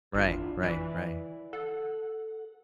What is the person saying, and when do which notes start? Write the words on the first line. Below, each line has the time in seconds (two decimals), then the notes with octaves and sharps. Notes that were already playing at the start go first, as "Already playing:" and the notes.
Right, right, right.
0.14 G#1 D4 E4 F4
0.63 E3 E4 D5
1.53 A4 F#5